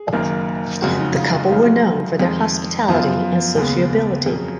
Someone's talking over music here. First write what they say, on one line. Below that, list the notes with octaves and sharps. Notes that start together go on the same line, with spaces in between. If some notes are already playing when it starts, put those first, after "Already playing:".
The couple were known for their hospitality and sociability.
Already playing: G#4
F#1 F#2 D#3 A#3
F#1 F2 C#3 G#3 F#4
D#4
F4
F4
F#1 F#2 F3 G#3 D#4 F4
F#4
F4
F2 D#3 G#3
F#2 F3 B3 F4
D#2 C#3 G#3 B3
F2 C#3 F#3 G#4